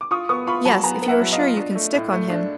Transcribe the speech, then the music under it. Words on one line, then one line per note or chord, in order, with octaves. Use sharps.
"Yes, if you are sure you can stick on him."
D6
F4 C#6 D#6
B3 C#6 D#6
F4 B5 C#6
F#3 A5 B5
B3 G#5 A#5
B3
E5 F#5
F#3
D#5 F5
F4
D4
A3
A2
A3
D4